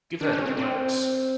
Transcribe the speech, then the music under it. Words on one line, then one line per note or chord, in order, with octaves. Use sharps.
Give her the works.
D4
C#4
C4
C4